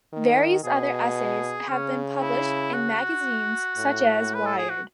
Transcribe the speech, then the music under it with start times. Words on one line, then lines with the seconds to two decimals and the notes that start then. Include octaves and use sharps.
Various other essays have been published in magazines such as "Wired".
0.13 D#3
0.64 B2 G#4
1.69 C#3 C#4
2.22 E4
2.74 F#4
3.78 A2
4.35 B4
4.46 A4
4.58 G#4
4.70 F#4